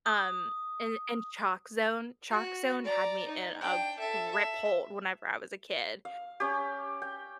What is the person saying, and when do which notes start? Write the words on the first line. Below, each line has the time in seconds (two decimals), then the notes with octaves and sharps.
um, and and Chalkzone, Chalkzone had me in a grip hold whenever I was a kid,
0.06 D#6
2.30 F#4
2.84 D5 A#5
3.27 D#4
3.61 D4 G5
3.99 A4 E5
4.31 E5
6.05 F5
6.40 C#4 G4
7.02 G5